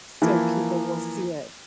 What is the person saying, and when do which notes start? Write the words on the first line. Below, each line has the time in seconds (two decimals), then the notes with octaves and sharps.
so people will see it.
0.22 E3 F3 A#3 E4